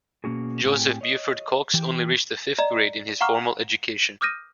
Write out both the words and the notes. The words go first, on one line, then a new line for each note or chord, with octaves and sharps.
Joseph Buford Cox only reached the fifth grade in his formal education.
B2 A#3 C#4 F#4 G#4
A2 C4 G4 G5 G#5
C#5 D#5
E3 G4 G5
D5 D#5 A#5
F5 F#5 A#5 C#6 D6 F6
D6 D#6 F6 G6 A#6 D#7